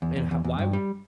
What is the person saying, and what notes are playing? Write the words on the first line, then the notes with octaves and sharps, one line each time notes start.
And ho why
E2
E2
E2
E2
G2
G3